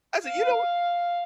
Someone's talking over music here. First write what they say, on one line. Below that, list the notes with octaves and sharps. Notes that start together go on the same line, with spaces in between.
said, "You don't"
F5